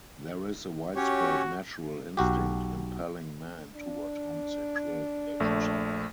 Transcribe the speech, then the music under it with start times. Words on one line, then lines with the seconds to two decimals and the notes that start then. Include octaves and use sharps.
There is a widespread natural instinct impelling men toward homosexual relationships.
0.96 C#4 F#4 G4 C#5
2.17 B1 F#4 G4
3.74 D4
5.40 A#1 A3